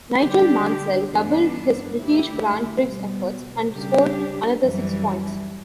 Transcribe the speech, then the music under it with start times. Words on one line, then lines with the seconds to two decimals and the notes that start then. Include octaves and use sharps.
Nigel Mansell doubled his British Grand Prix efforts and scored another six points.
0.19 D3 G3 D4 G4
1.08 G2 E3 B3 D4
1.96 D3 A3 E4 G4
2.84 B2 G3 B3
3.72 C#3 G3 D4 G4
4.60 F#2 E3 G3